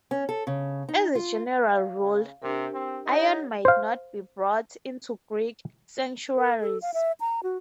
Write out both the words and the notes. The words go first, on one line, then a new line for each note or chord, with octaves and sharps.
As a general rule, iron might not be brought into Greek sanctuaries.
C#4
A4
C#3
D#4
F4
F5
C#3
C3 D4 G4 A#4
C4
D#4 C#5 F#5
C5 F5
A#4
A4
F5
E5
A#5
F#4